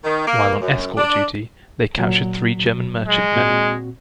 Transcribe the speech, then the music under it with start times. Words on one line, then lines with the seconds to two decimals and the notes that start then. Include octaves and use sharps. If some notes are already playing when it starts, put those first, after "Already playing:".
While on escort duty they captured three German merchantmen.
0.04 D#3
0.27 A#3
0.61 F#2
0.97 D4
1.98 A#2 F#3
3.06 G#3
3.36 A#2 C4 F#4